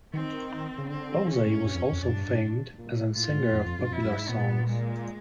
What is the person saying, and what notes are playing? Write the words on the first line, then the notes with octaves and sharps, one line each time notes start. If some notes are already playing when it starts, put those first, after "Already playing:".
Bose was also famed as an singer of popular songs.
D#3 C4
C#3
D3 C4
C#3 C#4
G#2
G2
F2
F2
F#2 D4
G2
G#2
A#2
A2 F4
G#2
A#2
F2
F2
G2
F2 E4
F#2
G#2
A#2 B3
G#3